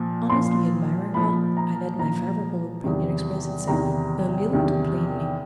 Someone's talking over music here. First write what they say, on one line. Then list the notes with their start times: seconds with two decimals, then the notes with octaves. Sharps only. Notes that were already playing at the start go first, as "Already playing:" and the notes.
Honestly admiring her, I let my favorable opinion express itself a little too plainly.
Already playing: A#2 F3
0.30 A#2 F3 C6
1.14 A#2 F3 B5
1.57 A#5
1.98 A#2 F3 A#5
2.84 E2 C3 D#3
3.67 E2 C3 D#3 A#5
4.53 E2 C3 D#3